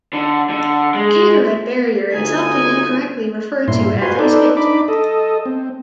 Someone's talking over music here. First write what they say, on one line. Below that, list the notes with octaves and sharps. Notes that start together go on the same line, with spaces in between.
Kaitorete Barrier is often incorrectly referred to as a spit.
D3
D3
G#3
G1 D2 D#4 G#4 G#5
G2 A#2 E4 C6
F4 F#4 B4 C5 G#5 C6
D#4 A4 B4 C5 D5
D4 D#4 B5 D6
A4 D#5
C4